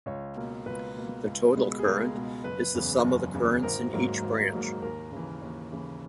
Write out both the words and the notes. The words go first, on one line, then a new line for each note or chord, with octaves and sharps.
The total current is the sum of the currents in each branch.
C#2 C#5
B2 A#3
C#2 B4
B2 A#3
C#2
B2 G#3 B3
G#4
C#2 A#4
B2 G#3 B3
F#1 B4
E2 C#3
F#1
E2 C#3
G#1 A#4
G#2 F#3 A#3
G#1
G#2 F#3 A#3
D#2 A#4
C#3 E3
D#2
C#3 E3